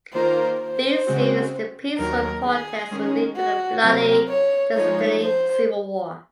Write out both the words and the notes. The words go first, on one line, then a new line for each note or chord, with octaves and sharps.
These series of peaceful protests would lead to the bloody Tajikistani Civil War.
D#3 A#3 F4 A#4 C5
C5
C#3 G#3 C4 F#4
D#2 D#3 F#3 A#4
G#4
D#3 G#3 C#4
F#4
C3 F#3 C4 A#4
C#5
F3 G#3 D#4 C#5
C5